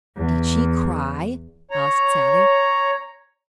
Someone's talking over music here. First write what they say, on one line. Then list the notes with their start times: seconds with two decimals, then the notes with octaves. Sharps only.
"Did she cry?" asked Sallie.
0.16 E2
1.71 C#5 A#5